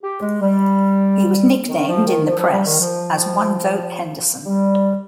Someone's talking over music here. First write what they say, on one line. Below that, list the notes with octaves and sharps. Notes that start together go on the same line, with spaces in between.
He was nicknamed, in the press, as one vote Henderson.
G4
G#3
G3
D#3
F3
D#3
F3
F3
G3
D#3
F3
G3